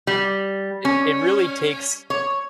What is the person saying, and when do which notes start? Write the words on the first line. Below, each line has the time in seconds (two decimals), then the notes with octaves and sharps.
it it really takes
0.07 G3
0.85 C#4
2.10 C#5